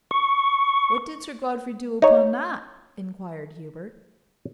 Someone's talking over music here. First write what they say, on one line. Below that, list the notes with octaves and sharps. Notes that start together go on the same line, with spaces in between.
"What did Sir Godfrey do upon that?" inquired Hubert.
C#6
D#4 C#5